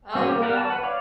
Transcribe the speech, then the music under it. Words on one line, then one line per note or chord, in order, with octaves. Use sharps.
Oh no.
C4 C#4 F#4 G#4
A#3 G4
B3 G4 A#4 F5 F#5
A5
B4 F#5
C#5 D5 F5